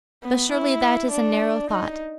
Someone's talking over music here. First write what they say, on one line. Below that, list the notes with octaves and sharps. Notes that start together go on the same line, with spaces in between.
But surely that is a narrow thought.
B3
E4
D4
D#4